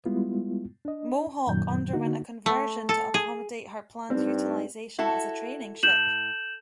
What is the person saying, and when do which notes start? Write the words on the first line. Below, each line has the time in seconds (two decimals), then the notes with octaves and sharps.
"Mohawk" underwent a conversion to accommodate her planned utilisation as a training ship.
0.06 G3 G#3 B3 E4 F4
0.85 D4 D#5
1.47 F#2 A#2 D#3 F#3 G6
1.93 D3 A#3 D#4 F#4
2.46 A3
2.89 A4
3.14 G#4
4.10 G2 C4 D#4
4.99 E4 F#4 A4
5.83 A2 G6 E7 F#7